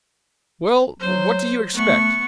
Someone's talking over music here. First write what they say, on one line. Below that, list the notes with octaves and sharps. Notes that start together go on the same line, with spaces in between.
'Well, what do you expect?
F#3 C5
A3 B3 C#6